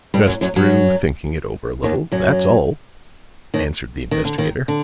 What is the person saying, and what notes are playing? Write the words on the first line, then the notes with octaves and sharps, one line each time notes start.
"Just through thinking it over a little, that's all," answered the investigator.
G2 G3
F#2 F#3
F#2 F#3
F#2 F#3
D#2 D#3
F#2 F#3
D#2 D#3
D#3
D3
D#2 D#3
D3